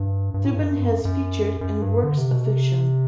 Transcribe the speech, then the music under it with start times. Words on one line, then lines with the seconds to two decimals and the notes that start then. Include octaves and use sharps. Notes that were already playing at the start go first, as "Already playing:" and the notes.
Thuban has featured in works of fiction.
Already playing: G2
0.34 G2
0.44 A2
0.54 G2
0.65 F#2
0.76 G2
0.90 F#2
1.05 F#2
1.61 F#2
1.82 G2
2.04 D3
2.18 C3
2.32 B2
2.46 C3